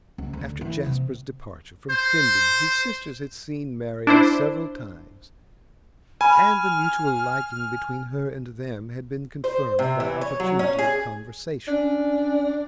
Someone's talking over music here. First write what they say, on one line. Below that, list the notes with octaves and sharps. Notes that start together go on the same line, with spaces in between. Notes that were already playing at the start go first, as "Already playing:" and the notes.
After Jasper's departure from Finden his sisters had seen Marian several times, and the mutual liking between her and them had been confirmed by opportunity of conversation.
C#2
D2
E3
C3
C5
D4 E4 C5
G#5 B5 F6
C5
C3
E3
C#5
F#3
C#4
G#4
C#4 D4